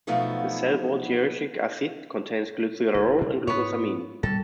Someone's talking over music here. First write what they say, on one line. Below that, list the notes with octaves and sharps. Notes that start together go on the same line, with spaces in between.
The cell wall teichoic acid contains glycerol and glucosamine.
B2 F3 F#3 A3 B3 D#4
G1 G2 E4
B2 C4 D4
G#2 B3 C#5
G#2 B2 D#3 G3 A4